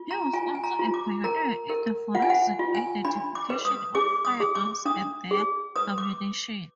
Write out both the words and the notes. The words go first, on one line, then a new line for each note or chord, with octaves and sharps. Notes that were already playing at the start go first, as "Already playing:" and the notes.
He was also a pioneer in the forensic identification of firearms and their ammunition.
Already playing: F4
A#5
F4 G#5
G#5
A#5
F4
D6
A#4 A#5
A#4
F4 F#5
G#5
F#5
F4
G#5
D4 B5
D6
B4
D#6
G#4 D6
D#6
G#4
D6
D4 D#6
G#4
B4 D#6
D6